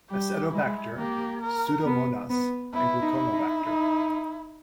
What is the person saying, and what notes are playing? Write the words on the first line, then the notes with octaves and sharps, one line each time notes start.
"Acetobacter", "Pseudomonas" and "Gluconobacter".
G3 G4
G#3 E4
A#3 G4
A#4
B3
B3
B3 E4
D#4
E4
D#4
D#4